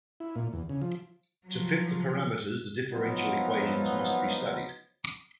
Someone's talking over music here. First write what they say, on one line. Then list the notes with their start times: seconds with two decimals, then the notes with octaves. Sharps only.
To fit the parameters, the differential equations must be studied.
0.20 E4
0.36 A#2
0.53 E2
0.69 C#3
0.82 F3
1.47 F3 F#3
2.92 F3 F#3 B3 C4 D#4 F4